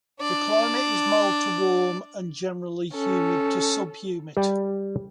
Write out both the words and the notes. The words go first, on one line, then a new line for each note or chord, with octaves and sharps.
The climate is mild to warm and generally humid to sub-humid.
D4 D5
C#4 A4
G3